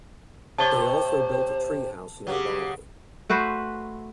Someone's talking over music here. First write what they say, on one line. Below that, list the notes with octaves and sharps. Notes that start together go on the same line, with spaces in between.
They also built a treehouse nearby.
C3 C5 C#5 A5 G7
C#3 F#3 G4
A3 F#4 B4 C5